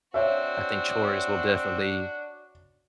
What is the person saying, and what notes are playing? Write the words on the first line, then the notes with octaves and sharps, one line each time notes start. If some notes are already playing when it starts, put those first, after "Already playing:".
I think chores will definitely
C4 D4 F#4 C#5 E5